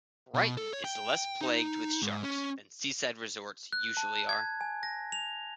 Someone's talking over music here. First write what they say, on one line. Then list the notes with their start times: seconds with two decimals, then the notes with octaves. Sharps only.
Brighton is less plagued with sharks than seaside resorts usually are.
0.34 B2
0.57 A4
0.73 C#5
0.84 G5
1.41 D#4
2.02 G#2
2.23 C#4
3.73 F#6
3.97 A5
4.29 G#6
4.61 G#5
4.83 A#6
5.12 F7